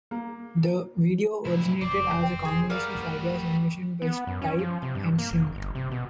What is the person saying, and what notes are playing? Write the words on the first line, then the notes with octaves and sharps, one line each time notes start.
The video originated as a combination of ideas envisioned by Stipe and Singh.
A#3
D2 A2 C3 G#3 E4
F#1 F2 C4 D5
G#4 C6
G3 F#4 A#4 D5 F5
A1 F#2
B3
F#2
C#4
F3
C3
G2
A#3
F1
G1
C3
B2